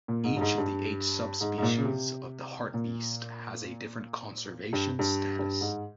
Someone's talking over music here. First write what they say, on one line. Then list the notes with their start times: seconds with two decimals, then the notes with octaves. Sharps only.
Each of the eight subspecies of the hartebeest has a different conservation status.
0.08 A#2
0.24 G#2
0.37 G2
0.41 G#2
0.58 G2
1.41 G#2
1.58 G#2
1.62 A#2
1.77 C#3
1.85 C3
2.74 A#2
4.73 G2
4.99 G2
5.39 G2
5.61 G#2